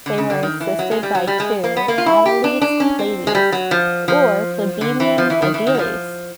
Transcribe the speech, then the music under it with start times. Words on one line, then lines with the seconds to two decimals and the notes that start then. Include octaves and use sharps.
They were assisted by two "aediles plebis", or plebeian aediles.
0.06 D3
0.18 C#3
0.30 D3
0.43 D#3
0.60 E3
0.79 F#3
0.91 G#3
1.03 G3
1.15 F#3
1.27 G3
1.40 G#3
1.64 A#3
1.76 B3
1.88 A#3
1.98 F4
2.06 E4
2.26 G4
2.44 D4
2.62 D4
2.80 C#4
2.99 C4
3.27 G#3
3.35 G3
3.52 F#3
3.71 F3
4.08 F3
4.81 D3
5.00 E3
5.18 F3
5.30 E3
5.42 D#3
5.54 E3
5.67 D#3
5.75 F#3
5.79 F3